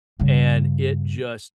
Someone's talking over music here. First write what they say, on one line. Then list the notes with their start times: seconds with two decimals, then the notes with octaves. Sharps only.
and it just
0.20 G2 C#3